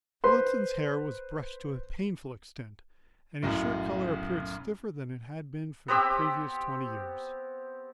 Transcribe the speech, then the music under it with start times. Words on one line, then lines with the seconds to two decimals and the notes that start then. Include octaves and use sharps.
Phillotson's hair was brushed to a painful extent, and his shirt collar appeared stiffer than it had been for the previous twenty years.
0.24 B4 C5 C6
3.43 B1 F#2 A2
5.88 B3 C4 G4 E6